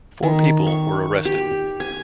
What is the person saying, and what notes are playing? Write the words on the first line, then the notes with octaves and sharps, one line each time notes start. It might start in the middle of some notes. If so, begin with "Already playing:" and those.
Four people were arrested.
D#3
C#6
G4
G#5